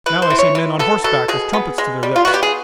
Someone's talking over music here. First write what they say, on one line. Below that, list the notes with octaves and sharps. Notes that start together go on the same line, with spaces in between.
Now I see men on horseback with trumpets to their lips.
E3 B4
C5
E3
C#5
E3
B3 A4
B2 A4
B2 G#4
B3
G#3
G3
F4
B3 F#4
G4
G#4